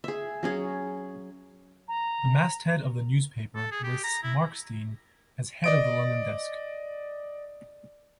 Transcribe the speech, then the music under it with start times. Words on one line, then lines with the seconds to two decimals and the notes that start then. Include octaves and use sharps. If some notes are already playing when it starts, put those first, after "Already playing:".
The masthead of the newspaper lists Markstein as head of the London desk.
0.04 G#4 E5
0.43 F#3 C#4 G#4
1.88 A#5
3.56 A4
3.72 G#4
3.84 G4
4.04 A#5
4.23 E4
5.64 D5 D#5 D7